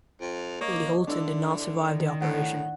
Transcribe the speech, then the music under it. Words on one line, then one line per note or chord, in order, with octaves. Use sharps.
Katie Holton did not survive the operation.
F2
A#3 C#5 D#5 D6
D3 D4 E4
D#3
A2 F#5